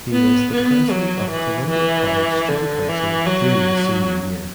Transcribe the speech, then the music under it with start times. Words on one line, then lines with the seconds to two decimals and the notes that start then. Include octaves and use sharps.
He was the president of Columbia College Student Council during his senior year.
0.13 B3
0.52 B3
0.91 F#3
1.31 E3
1.70 E3
2.49 D3
2.89 E3
3.27 F#3